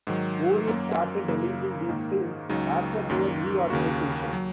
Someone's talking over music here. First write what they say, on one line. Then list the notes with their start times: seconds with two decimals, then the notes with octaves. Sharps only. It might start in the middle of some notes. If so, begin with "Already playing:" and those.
Orion started releasing these films after their reorganization.
0.07 G#2 D#3 F#3
0.67 F#2 F#3 A#3
1.28 F#2 C#3 A#3
1.88 G#2 D#3 A#3
2.49 C#2 C#3 F#3 D#4
3.10 F#2 D#3 F#3 A#3
3.70 D#2 C#3 A#3 F#4
4.33 F#3